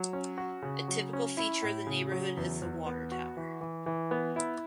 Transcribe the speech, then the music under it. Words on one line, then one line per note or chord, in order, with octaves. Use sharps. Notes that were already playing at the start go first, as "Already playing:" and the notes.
A typical feature of the neighbourhood is the water tower.
Already playing: F#3
C#4
F#4
C#3
F#3
C#4
E4
A2
C#3
F#3
E2
E2
B3
F#4
E3
E3
E3
B3
E4